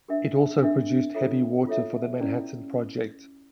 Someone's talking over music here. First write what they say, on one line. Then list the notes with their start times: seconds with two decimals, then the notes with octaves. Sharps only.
It also produced heavy water for the Manhattan Project.
0.08 D4 G4 A#4 E5
0.62 D4 G4 A#4 E5
1.14 F4 A4 C#5 E5
1.67 F4 A4 C#5 E5
2.20 C#4 E4 G4 D5